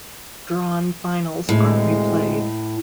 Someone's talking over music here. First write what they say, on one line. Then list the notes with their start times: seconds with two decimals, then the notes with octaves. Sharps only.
Drawn finals are replayed.
1.49 D2 A2 C3 G#3